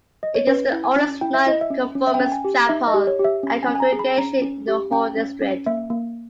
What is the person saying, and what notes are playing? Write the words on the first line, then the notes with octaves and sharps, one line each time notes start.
It is the oldest Non-conformist chapel and congregation in the whole district.
D#5
C#5
C#4 B4
E4
G#5
C#4
E4 G5
E5
E4 D#5
E5
C#4
C#4
E5
G5
C#4
G5
G#5
G4
D#4 E5
D#5
G4
C#5
G4
E5
C#4
G#5
C#4
G#5
A#5
G#4
B5
C#4 A#5
C#4
G4
C#4 G5
C#4
C#4
A#3 E5
A#3